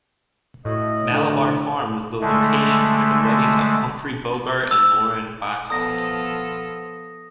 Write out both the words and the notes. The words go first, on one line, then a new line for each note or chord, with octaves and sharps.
Malabar Farm was the location for the wedding of Humphrey Bogart and Lauren Bacall.
A2 E4 F#4 D#5
D3
D3 G#3 A3
E6
F3 B3 A4 D#6 A#6